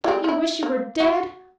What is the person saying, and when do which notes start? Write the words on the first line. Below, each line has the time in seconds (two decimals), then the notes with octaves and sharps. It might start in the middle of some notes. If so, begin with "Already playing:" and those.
Don't you wish you were dead?
0.04 G3 G#3 C4
0.24 E4 F4
0.63 A#3
1.00 F#4